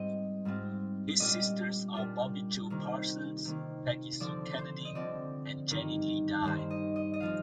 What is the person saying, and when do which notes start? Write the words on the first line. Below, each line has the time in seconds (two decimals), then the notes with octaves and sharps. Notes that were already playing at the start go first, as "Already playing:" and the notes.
His sisters are Bobbi Jo Parsons, Peggy Sue Kennedy, and Janie Lee Dye.
Already playing: G#2 G3 C4 D#5
0.45 G#2 G3 C4 F4
1.20 A#2 G3 D4 F4 D#5
1.95 A#2 G3 D4 F4
2.70 C3 D#3 A#3
3.45 C3 D#3 A#3
4.20 D3 F3 C4 D5
4.58 C5
4.85 D#5
4.95 D3 F3 C4 D5
5.70 G2 D#3 A#3 D#4
6.45 G2 D#3 A#3 D#4 C5
6.70 D#5
6.96 D#5
7.14 D#5
7.20 F3 C4 F4 F5